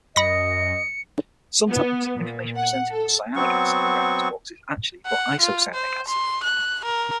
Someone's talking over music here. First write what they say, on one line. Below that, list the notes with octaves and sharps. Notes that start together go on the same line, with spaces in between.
Sometimes information presented for cyanic acid in reference books is actually for isocyanic acid.
F#2 D#5 B5 A#6 C#7
B3
A#2
F#5
A4
F#3 B3 C4 C#6
F#5
F4
C5
C6
F#6
A#4